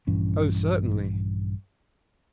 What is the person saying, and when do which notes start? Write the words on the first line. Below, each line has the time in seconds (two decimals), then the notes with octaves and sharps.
"Oh, certainly."
0.07 A#1 G2 E3 C#4